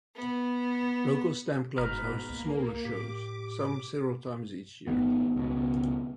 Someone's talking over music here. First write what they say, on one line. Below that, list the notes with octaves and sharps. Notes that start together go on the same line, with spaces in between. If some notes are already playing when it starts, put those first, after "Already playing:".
Local stamp clubs host smaller shows, some several times each year.
B3
F#1 G#2 B2 B4 A#5 F6
C2 A#3
A2 G4 D6
G#1 D#3 B3
C#2 B2